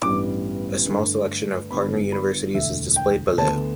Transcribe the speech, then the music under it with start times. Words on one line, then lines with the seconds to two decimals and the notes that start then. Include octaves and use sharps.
A small selection of partner universities is displayed below.
0.03 A1 G2 G3 B3 D6
0.87 G2 D3 A3
1.70 G1 G2 G3 B3 B5
2.12 B5
2.54 E1 D2 D3 E5
2.96 G5
3.38 D2 D3 B3 A5